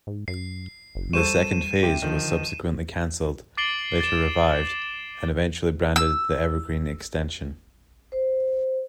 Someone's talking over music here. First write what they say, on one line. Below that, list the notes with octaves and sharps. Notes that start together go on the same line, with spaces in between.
The second phase was subsequently cancelled, later revived and eventually branded the Evergreen Extension.
G#2
F#2 C7
F#1
G3 A4 C5 C#6 D#7 E7
C3 G5
D3 D#3 F3
D6 A6 C7 D7 F#7 G7
A6 E7
E6
C5